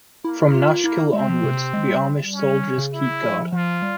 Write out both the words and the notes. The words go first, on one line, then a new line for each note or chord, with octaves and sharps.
From Nashkel onwards, the Amnish soldiers keep guard.
A#3 E4
F4
A#3 E4
G#3 C4
F3
C3
G#3
G3
C#4
C#3
E4
F3
F3 F4
G3